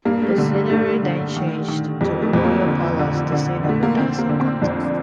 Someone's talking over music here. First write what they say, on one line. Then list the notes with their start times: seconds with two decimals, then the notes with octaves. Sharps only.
The scenery then changed to a royal palace, the scene of a dancing contest.
0.05 G2 A#3
0.22 A3
0.30 G3
0.37 D3 A3
0.55 G3
0.70 G2 A3
1.03 D3
1.36 D#3
1.68 D#3
2.01 F2 G3
2.22 A3
2.33 F2
2.44 A#3
2.66 D3
2.99 D3
3.32 D3
3.64 D3
3.69 A3
3.83 A#3
3.97 D3 C4
4.18 A#3
4.29 D3
4.40 C4
4.62 F2 D4